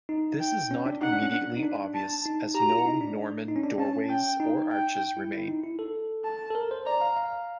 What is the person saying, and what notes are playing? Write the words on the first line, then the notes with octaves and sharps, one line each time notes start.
This is not immediately obvious as no Norman doorways or arches remain.
D#4
G5
C#4
D4
D#4 F#5
D4
C#4
D4
D#4
D4
A5
D#4
G4 A#5
F#4
F4
E4
D#4
D4
D#4
C#4
D4
C#4 A5
G5
D#4
G5
E4
E4
D#4
E4
A4
A5
A4
A#4
C5
D5 A#5
F5
F5